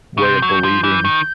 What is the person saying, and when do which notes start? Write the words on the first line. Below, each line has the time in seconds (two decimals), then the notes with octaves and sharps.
way of believing,
0.18 C#3
0.22 C3 G6
0.42 F#3
0.48 G#6
0.53 G6
0.64 F3
0.84 E3
1.05 D#3